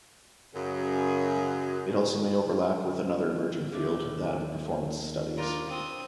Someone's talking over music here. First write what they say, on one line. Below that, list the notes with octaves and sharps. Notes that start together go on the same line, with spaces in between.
It also may overlap with another emerging field, that of Performance Studies.
F#2 C#3 G#4
D#2 D3 A3
G3 D4 F4 A#4
C4 D#6